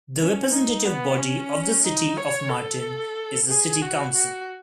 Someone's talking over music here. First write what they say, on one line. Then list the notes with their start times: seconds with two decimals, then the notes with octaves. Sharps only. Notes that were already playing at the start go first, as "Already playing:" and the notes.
The representative body of the city of Martin is the city council.
0.19 C#4
0.52 D#4
0.85 B3
1.18 C#4
1.84 D#4
2.17 C#5
2.49 A4
3.49 G#4
3.81 F#4
4.15 F#4